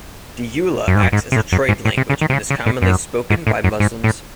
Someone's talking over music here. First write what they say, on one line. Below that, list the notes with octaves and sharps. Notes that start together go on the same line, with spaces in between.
Dyula acts as a trade language and is commonly spoken by Muslims.
F#2
G#2
F#2
G#2
C3
A2
F#2
G#2
A2
C3
C#3
D#3
C3
C#3
C#3
A2
F#2
G#2
A2
F#2
G#2
A2